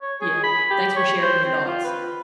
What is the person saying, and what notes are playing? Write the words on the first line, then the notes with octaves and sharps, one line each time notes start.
Yeah, thanks for sharing your thoughts.
C#5
G#4
B5
G4
C#5
C5
C4
F4
B4